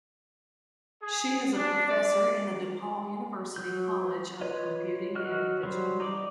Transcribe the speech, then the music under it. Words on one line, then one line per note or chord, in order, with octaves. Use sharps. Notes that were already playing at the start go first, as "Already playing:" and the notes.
She is a professor in the DePaul University College of Computing and Digital Media.
G#4
D4
D5
F#3 G6
F4 B4 C#5 D#5
F#3 F#4 D#5 F6 F#6
F#3 G3 C5
D#4 D5 D6